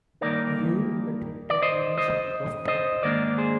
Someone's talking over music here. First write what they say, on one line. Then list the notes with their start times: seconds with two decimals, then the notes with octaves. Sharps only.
Auel attended University of Portland.
0.21 G2 D#3 A#3 D#4 A#4 D5
1.50 D5
1.62 C5 D#5
1.98 C5 D#5
2.67 C5 D#5
3.03 G#2 D#3 A#3 D4 A#4 D5
3.38 G#4 C5